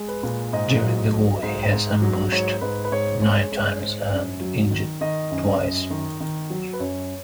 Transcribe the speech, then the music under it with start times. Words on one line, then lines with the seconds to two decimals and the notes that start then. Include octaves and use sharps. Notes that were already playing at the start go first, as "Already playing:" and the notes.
During the war, he was ambushed nine times and injured twice.
Already playing: G#3
0.08 B4
0.23 A#2
0.53 G#2 D#5
0.83 F#3
1.12 F#3
1.43 G#2
1.73 G#2
2.02 F#3
2.32 G#2 C#5
2.61 G#2 B4
2.85 B4
2.92 G#2 C#5
3.22 G#3 C#5
3.52 G#3
3.81 G#2
4.11 F#2
4.41 F#3
4.71 D#3
5.01 D#3 D#5
5.31 F#2
5.61 F#2
5.90 D#3
6.20 D#3
6.50 F#3
6.73 B4
6.80 F#2 C#5